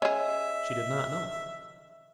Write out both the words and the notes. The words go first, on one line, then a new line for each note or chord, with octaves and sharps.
She did not know.
C#4 G#4 D#5 E5